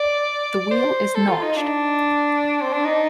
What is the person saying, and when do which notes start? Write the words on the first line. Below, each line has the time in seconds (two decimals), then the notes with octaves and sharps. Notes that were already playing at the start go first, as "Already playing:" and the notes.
The wheel is notched.
Already playing: D5
0.71 C5
1.15 A4
1.28 F4
1.43 D#4
1.56 D4
2.62 C4
2.73 D4
2.84 D#4